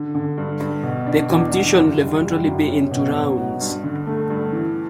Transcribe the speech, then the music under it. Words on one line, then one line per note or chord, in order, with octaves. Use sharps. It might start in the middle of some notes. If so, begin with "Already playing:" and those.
The competition would eventually be in two rounds.
Already playing: D3
D3
G2
G2
B2
D4
E2
D4
F#1
G3
G3
F#2
C#4
B2
B2
F#4
G2
D3
A3
G2
E3